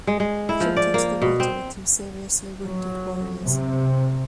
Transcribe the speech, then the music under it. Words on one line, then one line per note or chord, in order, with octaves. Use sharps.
He jumped into the water with two seriously wounded warriors.
G#3
G#3
E4
F3
D5
A#3
B2
C4
F#3
C3